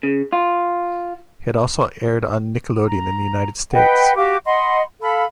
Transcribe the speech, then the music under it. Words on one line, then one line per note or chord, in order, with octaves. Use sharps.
It also aired on Nickelodeon in the United States.
C#3
F4
A#5
B4 D#5 F#5 G5
F#4 G4 F5 D6
D#5 F#5 B5 C6
A4 F5 B5